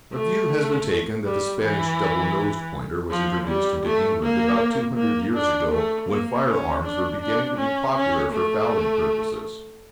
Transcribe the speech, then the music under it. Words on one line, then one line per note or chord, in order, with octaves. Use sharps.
A view has been taken that the Spanish double-nosed Pointer was introduced into England about two hundred years ago, when fire-arms were beginning to be popular for fowling purposes.
A3
G3
E3
F3
G3
A3
A#3
A#3
D4
A3
A#3
C#4
D4
D4
C#4
C#4
A3